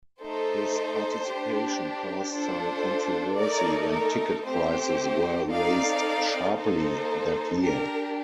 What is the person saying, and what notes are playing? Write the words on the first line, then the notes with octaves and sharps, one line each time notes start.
His participation caused some controversy when ticket prices were raised sharply that year.
A3 D#4 A4 C5
D4 G4
D4 F4 A4 C5
A3 D#4 A4 A#4 D5
A#4
A3 C4 G4 C5
C4 D#4 A4 D5 F5
A#3 D#4 A4 C5
D4 G4 A#4